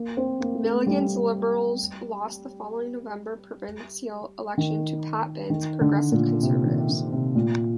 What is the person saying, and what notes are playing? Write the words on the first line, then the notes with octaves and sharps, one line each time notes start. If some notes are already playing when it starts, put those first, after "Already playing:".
Milligan's Liberals lost the following November provincial election to Pat Binns' Progressive Conservatives.
Already playing: A#3
C4
A#3
A3
G3
D#3
D#3
D3
A#2
C3
D#3
D#3
C3
A#2